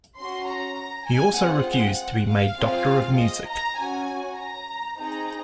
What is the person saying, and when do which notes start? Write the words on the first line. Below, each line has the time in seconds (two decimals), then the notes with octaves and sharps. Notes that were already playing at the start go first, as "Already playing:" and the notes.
He also refused to be made doctor of music.
0.18 C#4 F#4 C6
0.48 A#5
1.08 G#5
1.37 C4 F4 G#4 F#5
2.27 F5
2.58 C4 F4 G#4
3.17 D#5
3.48 A#5
3.78 C#4 F#4 G#5
4.38 A#5
4.98 C4 D#4 G#4 A#5